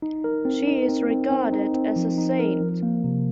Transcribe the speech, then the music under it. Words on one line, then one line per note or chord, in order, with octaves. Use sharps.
She is regarded as a saint.
D#4
A#4
C4
D#4
C4
C4
C4
D#4
C4
F3
D#4
A#4
F3
A#3
C3